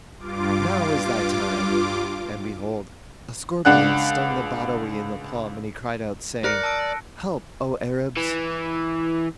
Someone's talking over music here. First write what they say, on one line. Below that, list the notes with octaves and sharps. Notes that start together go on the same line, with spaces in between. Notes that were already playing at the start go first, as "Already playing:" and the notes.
Now is thy time!" And behold, a scorpion stung the Badawi in the palm and he cried out, saying, "Help, O Arabs!
G2 F4 D6
C#2 D4 F#5 F#6
A#4 D5 F#6 A#6 C#7
A5 E6 D7
E3